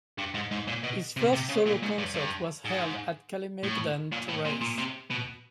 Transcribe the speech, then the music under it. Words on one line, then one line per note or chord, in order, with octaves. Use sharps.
His first solo concert was held at Kalemegdan terrace.
G2
G#2
G#2
A#2
B2
C3
C3
C#3
A#2
G#2
G2
G2
G#2
A2
A#2
A2
A#2
A#2
C3
B2